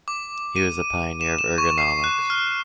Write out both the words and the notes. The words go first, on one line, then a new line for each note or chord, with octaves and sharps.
He was a pioneer of ergonomics.
D6
D#7
E7
E7
C#6
C7
F#6
F6